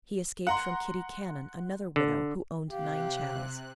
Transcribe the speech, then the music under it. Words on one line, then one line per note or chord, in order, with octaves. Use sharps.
He escaped from Kitty Cannon, another widow, who owned nine chattels.
F#5 A#5 C6
D3
C3 G4 F5 F#6